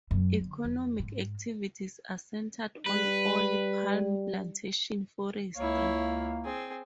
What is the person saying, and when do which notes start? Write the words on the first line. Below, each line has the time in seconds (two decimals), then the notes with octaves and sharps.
Economic activities are centred on oil palm plantations, forestry.
0.11 F#2
0.41 D3
0.64 F2
0.99 G#2
2.87 G3 B4
5.56 C#2 A#3 E4 C#5 F5
6.45 C4 G#4